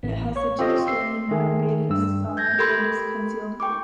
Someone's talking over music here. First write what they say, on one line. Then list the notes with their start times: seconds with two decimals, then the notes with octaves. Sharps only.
It has a two-storey, nine-bay facade and concealed roof.
0.03 A1
0.36 C#5 C#6
0.59 C4 F4 G4 A4 D#5
0.87 C6 E6 C7
1.31 D#3 A3 G#4
1.90 G2 E6
2.37 G6 G#6 A#6
2.59 G4 A4 A#4 B5 C6 G#6
3.60 G5 C#6 D6